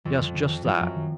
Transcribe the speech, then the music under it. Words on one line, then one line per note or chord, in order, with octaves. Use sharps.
Yes, just that.
F2 D#3
D3
D3
D3
D#3
F2 E3
F#2 F3
D#3